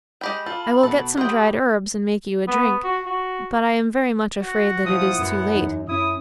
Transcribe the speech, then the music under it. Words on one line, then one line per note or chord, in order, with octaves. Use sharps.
'I will get some dried herbs and make you a drink, but I am very much afraid that it is too late.
G#3 G4 G5 B5
F4 A4
B2 A4
G4 F#5 G5 B5 C6 D#6
B3
F#4
F#4
F#4
A#2 F3 E4 F#5 D#6
F#2 B3
E2 D#4
F#2 C#4 E4 D#6